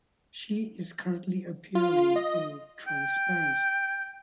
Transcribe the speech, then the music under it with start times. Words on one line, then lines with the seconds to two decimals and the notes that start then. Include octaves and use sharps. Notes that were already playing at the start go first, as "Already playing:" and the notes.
She is currently appearing in "Transparency".
1.75 F4
2.16 D#5
2.88 G5